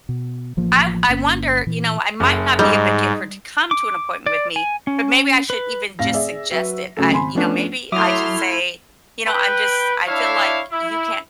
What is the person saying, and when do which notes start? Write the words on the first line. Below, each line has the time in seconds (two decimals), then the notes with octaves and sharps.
I I wonder, you know, I might not be able to get her to come to an appointment with me, but maybe I should even just suggest it. I you know, maybe I should say, you know I'm just I feel like you can't
0.09 B2
0.57 A1 F3 A#3
1.08 G1 A#3 C#4
1.67 A#2 E3
2.20 F#1
2.59 G#2 G3 G#3 D#4
3.71 D6
4.26 D5
4.56 G#5
4.87 C#4
5.50 B4
5.99 F1 A2 F5 A#6
6.14 G#4 D5 E5
6.51 F#3 B4 E5
6.97 C#3 F#3 A3 C#4 A4
7.12 G#1 G#5 B5 C6
7.35 F3 A3 B3 C#4 D4
7.92 F#3 A3 E4 E5 C6 D6 D#6 F6
9.27 B4 G5
10.08 D4 E4 C#5 E5 F5
10.71 E4